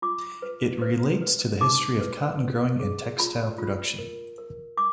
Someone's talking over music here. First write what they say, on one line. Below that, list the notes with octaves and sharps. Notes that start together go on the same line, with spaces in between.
It relates the history of cotton growing and textile production.
F4 D6
B4
B4
B4
D#4 D6
B4
B4
G#4
F4 B5
F4
A#4
A#4
D6